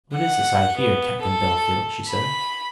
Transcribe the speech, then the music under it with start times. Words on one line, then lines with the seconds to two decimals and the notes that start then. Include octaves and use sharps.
"What is this I hear, Captain Bellfield?" she said.
0.14 F#5
0.77 B3
1.22 A4
2.07 B5